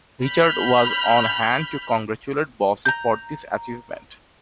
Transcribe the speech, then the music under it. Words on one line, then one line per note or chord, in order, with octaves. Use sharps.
Richard was on hand to congratulate Bossy for this achievement.
B5 F6 G6
A#5 G6